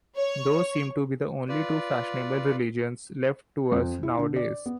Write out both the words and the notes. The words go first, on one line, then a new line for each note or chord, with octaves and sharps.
Those seem to be the only two fashionable religions left to us nowadays.
C#5
F4 B4 D5
F2
E4
D3
D5
B3